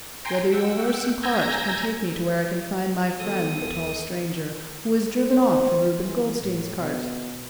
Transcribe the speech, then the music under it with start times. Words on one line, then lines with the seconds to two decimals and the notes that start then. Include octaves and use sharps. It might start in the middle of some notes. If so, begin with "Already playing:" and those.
"Whether your horse and cart can take me to where I can find my friend the tall stranger, who has driven off in Reuben Goldstein's cart?"
0.25 G5 G#5 A#5 C6
0.52 F#5 G5 E6
1.23 G#5 A#5 E6 G6 G#6 A#6
3.20 D#3 G#3 B3 A4 D#6
3.63 D#2 A4
5.29 C5
6.03 E3
6.41 A2
6.78 B2